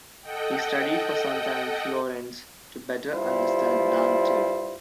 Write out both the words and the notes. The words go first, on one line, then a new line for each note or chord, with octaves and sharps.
He studied for some time in Florence to better understand Dante.
A4 D#5 F#5 G5
G2 G3 E4 F4 C5